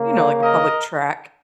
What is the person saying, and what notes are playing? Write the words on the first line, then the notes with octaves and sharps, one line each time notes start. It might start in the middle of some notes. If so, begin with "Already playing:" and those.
you know, like a public track
Already playing: C#3 A#3
A#4 D#5